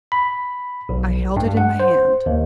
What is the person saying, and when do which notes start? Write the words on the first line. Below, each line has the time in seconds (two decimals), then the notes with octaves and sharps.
I held it in my hand.
0.12 B5
0.89 B1
1.37 G2
1.57 F#5
1.80 C5
2.26 D#2